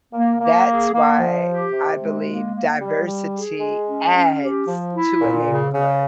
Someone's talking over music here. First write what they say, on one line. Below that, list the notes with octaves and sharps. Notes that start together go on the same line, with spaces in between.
that's why I believe diversity adds to a neighborhood.
A#3
A#3
G#4
A#3
F3
G4
C3
G#3
A#3
A#3
G3
G3
G#4
G#3
C#4
C#4
G4
F3
E4
A#2
C#3
C#3